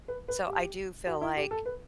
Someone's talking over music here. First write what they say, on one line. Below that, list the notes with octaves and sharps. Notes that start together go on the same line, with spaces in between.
So, I do feel like
B4
B4
G4
F#4
E4
G4
A4
B4